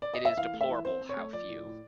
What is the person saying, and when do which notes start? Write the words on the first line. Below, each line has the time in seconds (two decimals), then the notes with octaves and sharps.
It is deplorable how few.
0.02 D5
0.14 D#5
0.25 E5
0.37 E3 F5
0.54 A3
0.61 E5
0.69 E3
0.85 C4 C5
1.01 C4
1.09 C#5
1.17 A3
1.33 F3 D5
1.49 A2
1.65 A2